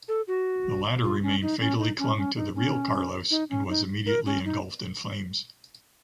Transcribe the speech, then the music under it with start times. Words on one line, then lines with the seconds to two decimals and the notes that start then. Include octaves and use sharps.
The latter remained fatally clung to the “Real Carlos” and was immediately engulfed in flames.
0.08 A4
0.28 F#4
1.03 F4
1.22 C#4
1.42 D#4
1.60 C#4
1.79 D#4
1.98 C#4
2.17 C#4
2.36 D#4
2.55 C#4
3.31 D#4
3.50 C#4
3.68 D#4
4.06 A#4
4.26 C#4
4.45 D#4